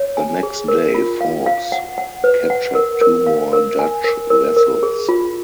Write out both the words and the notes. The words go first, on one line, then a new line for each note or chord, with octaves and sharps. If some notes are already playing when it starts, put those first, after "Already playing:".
The next day "Forbes" captured two more Dutch vessels.
Already playing: C#5
G#5
G#4
A#4
F4
F5
F5
F#5
F#5
B4
F#5
A#4
A#4
F5
A#4
G#5
A#4
A#4
A#4
G#4
F4